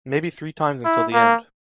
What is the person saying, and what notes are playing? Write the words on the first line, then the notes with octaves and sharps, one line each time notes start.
Maybe three times until the end.
E4
A#3